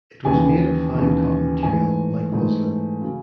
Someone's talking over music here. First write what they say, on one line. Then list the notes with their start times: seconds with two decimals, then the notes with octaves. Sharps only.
It was made of fine cotton material like muslin.
0.25 D#2 C#3 E3 G#5
0.94 D#2 C#3 E3
1.63 G#2 E3 A3 G#5
2.32 G#2 E3 A3
3.02 C#3 F#3 C#4